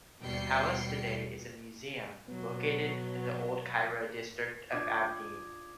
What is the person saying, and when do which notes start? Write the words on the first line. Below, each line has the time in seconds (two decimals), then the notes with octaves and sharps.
The palace today is a museum, located in the Old Cairo district of Abdeen.
0.21 D#2 B2 G3 G5 C7 C#7
2.28 B2 F#3 B3
4.70 D4 F4 D6 D#6 G#6 A6